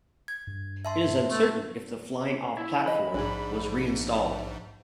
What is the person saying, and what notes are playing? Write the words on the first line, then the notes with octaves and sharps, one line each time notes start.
It is uncertain if the flying-off platform was reinstalled.
G#6
G2
E5 A5 C6
A3
E4
E3 D#5 B5
A#1 G#2 D4 G#4